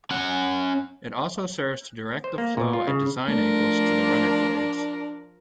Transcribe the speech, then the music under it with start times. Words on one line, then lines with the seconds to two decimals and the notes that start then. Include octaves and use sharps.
It also serves to direct the flow at design angles to the runner blades.
0.11 C#4 F#5
2.24 C5
2.38 A#3
2.57 A#2
2.73 F4
2.87 C#3
3.28 F3 A3 D4 A#4